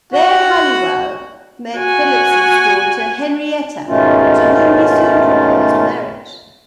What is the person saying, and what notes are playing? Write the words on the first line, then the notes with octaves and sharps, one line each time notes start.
There Halliwell met Phillipps's daughter, Henrietta, to whom he soon proposed marriage.
F#4 F#5
F#4 G#5
G#2 B2 D#3 A3 C#4 F4